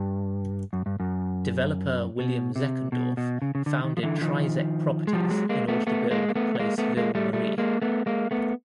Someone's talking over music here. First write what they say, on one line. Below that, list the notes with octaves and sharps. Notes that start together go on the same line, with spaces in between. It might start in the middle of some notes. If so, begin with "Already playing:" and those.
Developer William Zeckendorf founded Trizec Properties in order to build Place Ville Marie.
Already playing: G2
F#2
G2
F#2
B2
C3
B2
B2
C#3
C#3
D3
D#3
F3
D3 E3
D#3 F3
G#3
F3 G3
F#3 G#3
G#3 A#3
A3 B3
A3 B3
G#3 A#3
A#3
A3 B3
B3
G#3 A#3
A3 B3
G#3 A#3
G3 A3
G3 A3
G#3 A#3
A3 B3
G#3 A#3
A3 B3